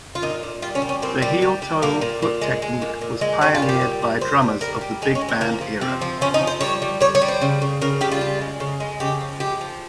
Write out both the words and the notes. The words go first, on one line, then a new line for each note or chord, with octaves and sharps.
The heel-toe foot technique was pioneered by drummers of the big band era.
F4
A#2 D#4
A#2
G3 F4
C#4
G3
C#4
A#2 C4
G3
G3
G3
A#2 A#3
A#2
A#2
G#3
G#3
A#2
A#2
G#3
G3 C#4
F4
A#2
G4
G3
A#2
A#2 C5
G3
G3 A#4
G3
G#3 D#4
C#4
G#3
C4
F3 A#3
F3
C3 C4
F3
F3 C#4
D#4
F3
C5
G3 C#5
G3
G3 C#5
C#5
G3
C5
C#3
C#3
C#3 A#4
G3 G4
F4
C#3
G#3
C#3
G#3
C#3 G4
F3
G#3 G4
F3